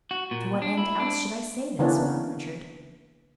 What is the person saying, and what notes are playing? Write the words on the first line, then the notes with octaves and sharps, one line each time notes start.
"To what end, else, should I say this?" went on Richard.
F#4
A#2
D4
E4
D4
C#3 E3 A#3 B3 C#4 D4